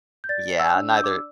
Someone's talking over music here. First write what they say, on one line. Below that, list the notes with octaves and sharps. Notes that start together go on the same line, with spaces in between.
Yeah, neither
G6
D5 A6
E6
D4
G6
E6
D6
E6